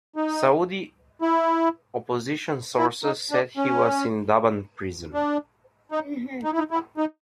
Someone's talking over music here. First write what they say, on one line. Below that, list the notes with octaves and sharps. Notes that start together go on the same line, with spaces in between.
Saudi opposition sources said he was in Dhaban Prison.
D#4
E4
E4
D#4
D4
C#4
D4
D#4
D#4
E4
D#4
E4
D#4